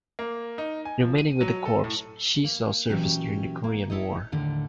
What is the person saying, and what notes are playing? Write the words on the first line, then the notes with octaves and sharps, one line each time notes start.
Remaining with the Corps, she saw service during the Korean War.
A#3
D#4
G#5
F3
D#7
F#3
A4
A2
A#3
A#2 E3 F#3 C#4 G4
A#3
E4 A4 C#5 D#5
D#2 A2 D3